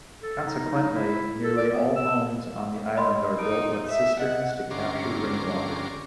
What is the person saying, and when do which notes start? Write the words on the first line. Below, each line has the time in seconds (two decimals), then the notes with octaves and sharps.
Consequently, nearly all homes on the island are built with cisterns to capture rainwater.
0.23 A4
0.47 D#4
0.75 D#4
0.94 E4
1.44 A4
1.57 D5
1.73 B3
1.96 E6
2.97 D#5 B5 C6
3.39 D#4 D7
3.90 E5
4.20 D#5 F#5
4.71 G2 D3 C#4 A#5 C6 D6